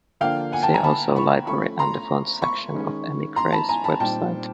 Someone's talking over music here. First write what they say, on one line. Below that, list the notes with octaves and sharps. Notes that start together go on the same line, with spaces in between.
See also library and the fonts section of Emigre's website.
D3 F3 A#3 D4 F5 G5
F#5 G#5
G5 A5
G#5 A#5
A5 B5
B5 C#6
F3 A3 C#4 B5 C#6
A#5 C6
B5 C#6
D#3 G#3 C#4
A#5 C6
A5 B5
G#5 A#5
A5 B5
A#2 G3 C4 D#4 G5 A5